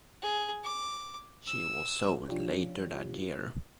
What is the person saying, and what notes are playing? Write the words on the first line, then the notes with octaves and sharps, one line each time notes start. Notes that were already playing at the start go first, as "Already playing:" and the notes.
She was sold later that year.
G#4
D6
E6
F3 D4 F4 G4 C#5